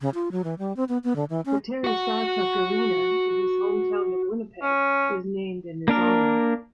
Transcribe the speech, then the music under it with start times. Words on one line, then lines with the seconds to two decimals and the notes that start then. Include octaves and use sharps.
The Terry Sawchuk Arena in his hometown of Winnipeg is named in his honour.
0.01 C#3
0.15 F4
0.32 F#3
0.44 E3
0.59 G3
0.77 C4
0.89 B3
1.04 B3
1.16 D3
1.30 E3
1.46 C#4
1.84 F#4 F#5
4.63 C#4
5.88 A#3 D4 A#4